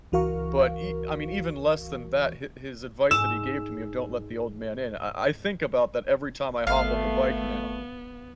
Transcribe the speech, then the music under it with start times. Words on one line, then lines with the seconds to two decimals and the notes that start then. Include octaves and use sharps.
but, ev I mean, even less than that, his his advice that he gave to me of don't let the old man in, I I think about that every time I hop on the bike now.
0.12 C#2 E3 F#4 A#4 F5 C#6
3.11 G#2 E6 E7
6.67 G#1 A3 B3 F5